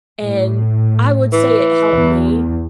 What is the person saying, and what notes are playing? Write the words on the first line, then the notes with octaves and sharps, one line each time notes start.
and I would say it helped me
A2
E3
E2